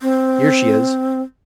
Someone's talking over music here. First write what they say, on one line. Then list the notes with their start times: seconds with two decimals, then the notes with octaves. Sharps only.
Here she is.
0.01 C4